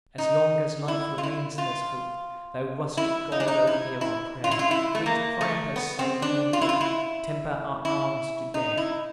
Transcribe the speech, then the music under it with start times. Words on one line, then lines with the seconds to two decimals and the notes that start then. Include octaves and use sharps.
As long as life remains, there's hope; Thou rustic God, oh hear our prayer, Great Priapus, I thee invoke, Temper our arms to dare!
0.18 D#4
0.88 E4
1.18 F4
1.23 E4
1.58 F4
2.97 E4
3.32 D#4
3.40 D4
3.48 D#4
3.67 E4
4.01 E4
4.44 F4
4.51 E4
4.59 F4
4.71 E4
4.95 A3
5.06 A#3
5.41 A3
5.76 B3
5.99 C4
6.22 D4
6.53 F4
6.61 E4
6.69 F4
6.81 E4
7.85 E4
8.54 D#4
8.77 E4